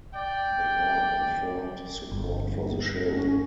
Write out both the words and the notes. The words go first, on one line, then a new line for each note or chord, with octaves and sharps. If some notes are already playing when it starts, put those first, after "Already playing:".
They all confirmed support for the show.
D5 G5
G1
C#4